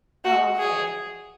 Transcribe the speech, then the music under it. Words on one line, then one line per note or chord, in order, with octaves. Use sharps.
Oh, okay.
F#4
G#4